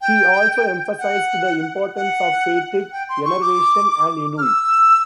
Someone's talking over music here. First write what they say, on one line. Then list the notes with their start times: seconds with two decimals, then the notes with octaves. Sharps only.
He also emphasized the importance of "fatigue", "enervation" and "ennui".
0.01 G5
0.99 F#5
1.96 F#5
2.92 G5
3.09 C6
3.25 C#6
3.41 D6
4.38 F6
4.42 E6